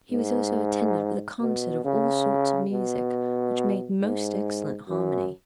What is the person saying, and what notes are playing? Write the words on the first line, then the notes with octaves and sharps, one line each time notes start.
He was also attended with a concert of all sorts of music, which made most excellent harmony.
G#2
B2
C#3
B2
G#2
F#2